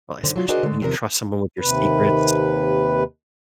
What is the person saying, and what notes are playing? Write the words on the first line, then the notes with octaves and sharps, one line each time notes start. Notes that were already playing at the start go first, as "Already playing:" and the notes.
well, especially when you trust someone with your secrets.
F#2 D3 D#3 C5
F#3 F4
D4 F#4 G#4 A#4 C5 D#5
D3 G#3 A3
E2 C3 D#3 F3 A#4
D#2 C3 B4